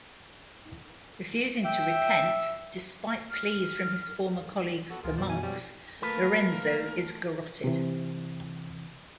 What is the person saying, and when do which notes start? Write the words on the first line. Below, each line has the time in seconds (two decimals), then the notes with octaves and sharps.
Refusing to repent, despite pleas from his former colleagues the monks, Lorenzo is garrotted.
1.65 E5 G5
3.31 F6
4.90 B3 F#4 A4
5.04 C#2 B2 F3 F4 G#4 A#4
5.17 F#2 F#3 B3 F4 F#4 C5 D5
5.29 A#3 C#4 D#4 G#5
5.42 G#2 G3 C#4
6.02 A3 A#3 F4 A#4 B4
7.64 C3 E3